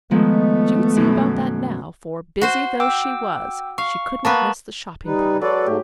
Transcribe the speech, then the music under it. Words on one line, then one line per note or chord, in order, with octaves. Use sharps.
She would see about that now, for, busy though she was, she could not miss the shopping-parade.
D#3 F3 G#3 A3 B3
F#2 B2
F#4 C5
G5 D6 E6
F5 C#6
A#3 B3 B4 A5 C#6
G3 D#4 B4
G#5
F#3 G#3 A4 B4 D5
G#2 A3 G4